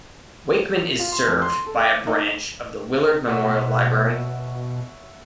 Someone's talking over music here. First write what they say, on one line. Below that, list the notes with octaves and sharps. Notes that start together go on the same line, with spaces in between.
Wakeman is served by a branch of the Willard Memorial Library.
F4
C6
F2
C6
A4
D6
D#4
B2 C#5 E5 F#5